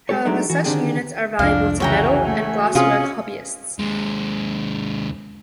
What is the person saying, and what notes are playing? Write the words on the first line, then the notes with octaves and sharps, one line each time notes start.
However, such units are valuable to metal and glasswork hobbyists.
G3 G#3 G4 A4 C#5
F#3 G#3 A3 D4 D#4
E3 F#4
D3 D#3 C4 D4 G4 G#4
C2 F2 D4 F5
C#3 E3 F#4 C#5 G5 G#5 A#5
A3
C3 C#4 F4 G#4 C#5
D#2 G#3